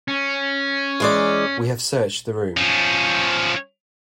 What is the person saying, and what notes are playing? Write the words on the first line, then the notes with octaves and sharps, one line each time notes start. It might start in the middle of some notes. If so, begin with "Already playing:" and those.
We have searched the room.
C#4
E3 G#3 D5
F3 C#4